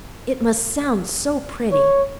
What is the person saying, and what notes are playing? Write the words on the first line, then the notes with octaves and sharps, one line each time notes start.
"It must sound so pretty!"
C#5